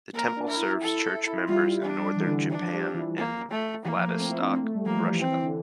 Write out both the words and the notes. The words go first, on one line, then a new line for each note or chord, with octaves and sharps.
The temple serves church members in Northern Japan and Vladivostok, Russia.
A#3 A#4
A#3
D4
E4 A#4
A4
E4
E4
F4
G3 F4
G3 D4
E3
D3
D3
E3 D4
F3
G3
F3
E3
A#3
A3
E3 A#3
F3
A3
C4
E4
D4
C4
A3
G3
F3 A#3
E3
F3
E3 C4
E3
D3